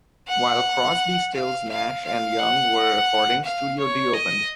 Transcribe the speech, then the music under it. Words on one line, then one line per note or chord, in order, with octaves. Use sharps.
While Crosby Stills Nash and Young were recording, studio D opened.
F#5
F5
F5
F5
F#5
F5
C#5
D#5